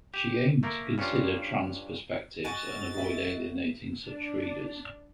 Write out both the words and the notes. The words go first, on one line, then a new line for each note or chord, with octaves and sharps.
She aimed to consider trans perspectives and avoid alienating such readers.
G4
A3 A#3 A#4
G2 C#4 D4 F4
F#4 D#5 G#5 A6
E5
D4